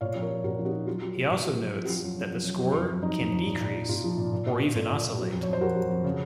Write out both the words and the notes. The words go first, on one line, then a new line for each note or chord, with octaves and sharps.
He also notes that the score can decrease, or even oscillate.
A#2 C#5 F5
F3
A#4 C#5
F3
A#2 F#4 A#4
F3
D#4 F#4
F3
F#3 F4
F#3
F#3
A#2
F#3
F#3
F3 F4
F3 F#4
F4
F#2
F#2
F3
F#2
F#3
F2
F2
F2 D#4
F2
F2
A#2
A#2
F3
A#2 F4
F3
A#2
A#2
A#2
A#2
A#2 F4 A4
A#2
A#2
F#3
F2
C#5
F2
C5
F2 F#4 A#4
F#3
F2
C#3